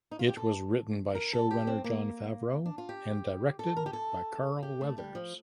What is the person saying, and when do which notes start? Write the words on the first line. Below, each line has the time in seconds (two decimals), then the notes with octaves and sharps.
It was written by showrunner Jon Favreau and directed by Carl Weathers.
0.11 D#4
0.19 F4
0.29 G4
0.37 A4
1.15 A#4
1.33 A4
1.51 G4
1.67 C4
1.84 A#3
2.66 D4
2.78 F4
2.89 G4
3.59 A4
3.77 A#4
3.86 G4
3.93 A4
4.63 G4
4.81 A3
4.98 G3
5.15 F3